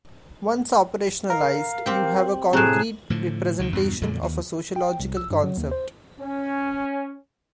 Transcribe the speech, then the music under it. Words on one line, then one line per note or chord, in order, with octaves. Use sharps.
Once operationalized, you have a concrete representation of a sociological concept.
A#4 F5
C4 G4
A2 C3 A3 G#4 A#5 F#6 E7
A2 D3 F3
C#2 B2 D#3
E2 G2 B2
F2 A#2 D3 F#3
D#2
G5
C2
E6
G2
F#3
D#2
C5
C#4